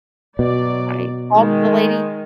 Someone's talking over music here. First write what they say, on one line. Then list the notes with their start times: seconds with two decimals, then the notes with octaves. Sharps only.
I called the lady
0.39 B2 F#3 D5
1.33 D#3 G#3